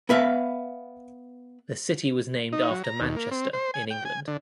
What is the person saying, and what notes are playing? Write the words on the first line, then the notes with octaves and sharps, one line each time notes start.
The city was named after Manchester, in England.
B3 B4 E5 F5
D#4
F#3
A#5
D#2
A#3
C4
C5
G#5
G5
G#5
D3